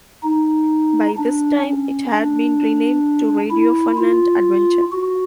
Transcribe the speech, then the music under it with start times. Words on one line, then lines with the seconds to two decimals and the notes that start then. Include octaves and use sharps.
By this time it had been renamed to Radio Fun and Adventure.
0.23 D#4
1.17 D4
1.63 C#4
2.11 D4
3.51 E4
3.98 F4
4.92 F#4